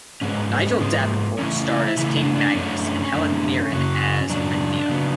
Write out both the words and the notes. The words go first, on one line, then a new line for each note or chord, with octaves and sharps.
Nigel Davenport starred as King Magnus and Helen Mirren as Orinthia.
G#2 G#3 B3 C#4
G#2 G#3 B3
C#3 E3 A3 C#4
E4
C#3 E3 A3 E4
D4
D4
F#2 D3 A3 C#4
F#2 D3 A3
F#2 C#3 F#3
F#2 C#3 F#3 D4
C#3 F#3 B3